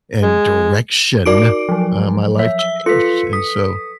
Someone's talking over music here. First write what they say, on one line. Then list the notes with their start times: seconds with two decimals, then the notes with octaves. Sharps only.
and direction, uh my life changed, and so,
0.22 G#3
1.25 D#4 F#4 A#4 D5 D6 D7
1.69 F3 F#3
2.39 C#5 E5
2.59 E6 G7
2.86 F4 A4 B4 B6 C#7
3.33 D#6 B6